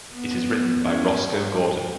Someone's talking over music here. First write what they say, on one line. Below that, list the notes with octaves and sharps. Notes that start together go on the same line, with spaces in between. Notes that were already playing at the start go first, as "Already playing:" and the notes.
It is written by Rosco Gordon.
B3
C#4